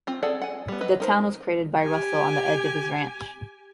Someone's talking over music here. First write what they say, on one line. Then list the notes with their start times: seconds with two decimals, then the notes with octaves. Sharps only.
The town was created by Russell on the edge of his ranch.
0.07 C4 F4
0.23 G#4 A4 D5 F#5
0.42 F#5 G#5
0.68 G3 B3
0.81 F#3 B4 D#5
1.00 D#4 A#4 C5
1.81 G4 G#5